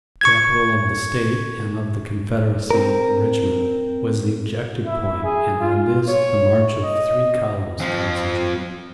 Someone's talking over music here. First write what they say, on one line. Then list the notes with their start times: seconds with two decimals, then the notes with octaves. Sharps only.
The capital of the State and of the Confederacy, Richmond, was the objective point, and on this the march of three columns concentrated.
0.21 C#6 G#6
2.71 C4 A#4
4.86 E4
5.24 G#4
5.61 F4
6.08 C#5
6.83 D#5
7.80 F2 F3